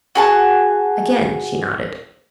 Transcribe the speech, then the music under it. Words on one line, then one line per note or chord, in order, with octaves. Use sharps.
Again she nodded.
F#4 G#4 A5